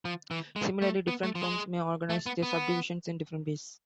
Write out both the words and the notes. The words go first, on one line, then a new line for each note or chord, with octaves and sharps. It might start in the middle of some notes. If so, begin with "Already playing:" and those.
Similarly, different firms may organize their subdivisions in different ways.
F3
E3
G#3
A3
B3
A3
F3
G#3
A3
B3
B3